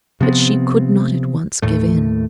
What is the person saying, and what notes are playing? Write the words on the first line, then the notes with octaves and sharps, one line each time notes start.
But she could not at once give in.
C3 F3 B3 C4
D#2 A2 A3